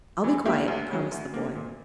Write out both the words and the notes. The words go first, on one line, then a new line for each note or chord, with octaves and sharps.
"I'll be quiet," promised the boy.
E3
A#3 E4 G4
D2
C#3 F#3
D2
D3 A#3
A#2